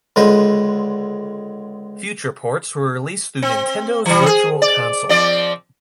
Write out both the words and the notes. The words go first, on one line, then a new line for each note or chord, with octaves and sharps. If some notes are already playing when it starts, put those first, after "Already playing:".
Future ports were released through Nintendo's Virtual Console.
C#2 D3 G#3 B4 C5 D#5
C4
E3 G3
G#4
D5
F3 C4 D5